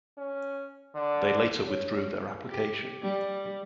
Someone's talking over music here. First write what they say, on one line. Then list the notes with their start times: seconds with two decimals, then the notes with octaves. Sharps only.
They later withdrew their application.
0.18 C#4
0.95 D3
1.67 C#5
2.48 G4
3.02 G3